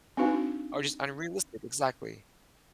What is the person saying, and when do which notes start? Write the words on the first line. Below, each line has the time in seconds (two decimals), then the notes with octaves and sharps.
Oh, just unrealistic exactly.
0.17 C4 D4 D#4 F#4 B4 F5